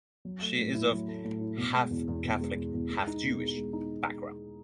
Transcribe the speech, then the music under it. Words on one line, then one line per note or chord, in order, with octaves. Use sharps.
She is of "half-Catholic, half-Jewish" background.
F#3
A3
A2
E4
F#3
A3
A2
E4
B2
G#3
E2
E2
B2
G#3
E2
E2
G#3
D#4
B2
G#4
G#3
D#4